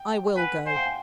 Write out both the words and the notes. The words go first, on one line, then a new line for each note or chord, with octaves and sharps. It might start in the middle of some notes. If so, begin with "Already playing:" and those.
'I will go.
Already playing: G5
B4 F#5 G#5
C5 F#5 G#5
F5 G5
F#5 G#5